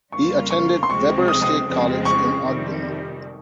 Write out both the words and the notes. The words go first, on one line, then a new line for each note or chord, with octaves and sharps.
He attended Weber State College in Ogden.
F2 C#3 G3 A#3 F4 C#6
C#6
C6
C#2 C3 F3 G#3 C4 C#6
D#6
D#6
F2 C#3 F3 G#3 C4
C#6
F2 C3 D#3 G3